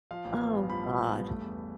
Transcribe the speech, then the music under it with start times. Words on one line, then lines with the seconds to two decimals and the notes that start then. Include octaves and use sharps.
Oh, god.
0.11 F3 F5
0.25 A1
0.39 B3
0.55 G2
0.69 F3 B5
0.83 A1
0.98 B3
1.12 G2
1.27 A3
1.41 E2